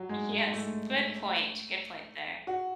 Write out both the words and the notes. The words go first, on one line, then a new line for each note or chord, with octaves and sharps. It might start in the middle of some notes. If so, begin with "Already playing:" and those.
Yes. Good point. Good point there.
Already playing: F#3
G#3
G#3
A3
F#4